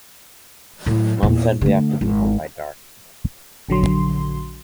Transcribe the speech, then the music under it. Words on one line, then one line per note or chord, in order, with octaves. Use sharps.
Mum said we have to be home by dark.
A2 F#3
E2 A#2
D3 A3
G#1
A#1 D3 F#3 C6